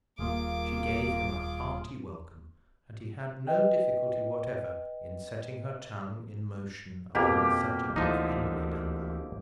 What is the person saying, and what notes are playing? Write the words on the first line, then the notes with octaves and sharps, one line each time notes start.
She gave him a hearty welcome, and he had no difficulty whatever in setting her tongue in motion upon the subject of Henry Dunbar.
D#1 A#2 A#3 F4 G#4 D6
B4 D#5 G5
F2 B2 A#3 G4
D2 D3 E3 F3 D#4